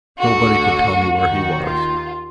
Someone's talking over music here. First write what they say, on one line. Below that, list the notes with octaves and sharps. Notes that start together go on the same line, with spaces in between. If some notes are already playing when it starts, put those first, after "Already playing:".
Nobody could tell me where he was.
D2 D3 F#4
D#2 D#3 F#4
F4